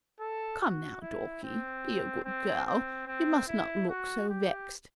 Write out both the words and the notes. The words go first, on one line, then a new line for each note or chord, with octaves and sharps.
Come now, Dorkie, be a good girl--you must not look so vexed.'
A4
F#4
E4
C4
C4
C4
C4
E4
F#4
G4